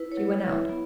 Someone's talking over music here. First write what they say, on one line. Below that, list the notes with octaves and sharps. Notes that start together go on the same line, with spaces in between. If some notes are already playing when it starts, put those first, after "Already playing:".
She went out.
Already playing: E4 B4
C#5
F#3
E4
E5
B3